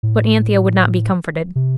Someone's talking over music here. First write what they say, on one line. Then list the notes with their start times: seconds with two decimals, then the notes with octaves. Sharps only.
But Anthea would not be comforted.
0.03 A2
1.56 C3